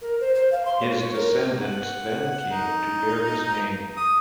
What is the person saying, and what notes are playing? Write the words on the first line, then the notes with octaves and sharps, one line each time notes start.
His descendants then came to bear his name.
A#4
C5
C5
F5
C6
C#5
C#5
A#4
F#5
D#4
D#6